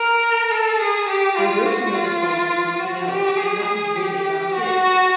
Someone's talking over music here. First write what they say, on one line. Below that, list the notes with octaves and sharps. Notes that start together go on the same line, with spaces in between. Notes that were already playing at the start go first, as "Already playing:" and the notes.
I wrote another song for something else and that was really about it.
Already playing: A#4
A4
G#4
G4
F4
F#4
F4
F#4
G4
G#4
G4
F#4
F#4